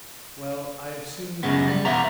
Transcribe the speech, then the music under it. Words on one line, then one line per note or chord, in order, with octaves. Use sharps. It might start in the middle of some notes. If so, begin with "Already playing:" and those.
"Well, I have seen the duke."
F#2 A2 C#3 G#3 B3
G3
E2 B2 B4 E5 F#5 A#5